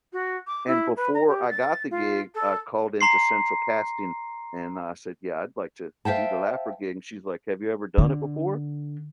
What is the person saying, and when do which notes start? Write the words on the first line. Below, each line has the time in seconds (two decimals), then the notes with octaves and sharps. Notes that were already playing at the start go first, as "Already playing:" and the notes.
and, before I got the gig, I called into central casting and I said, yeah, I'd like to do the laugher gig, and she's like, have you ever done it before,
0.12 F#4
0.46 D6
0.67 E4
0.96 B4
1.14 A#5
1.27 G4
1.49 A6
1.90 F4
2.34 A4
3.01 A#5 C6 C7
6.05 C5 E5 F5 G5 A5
7.98 D3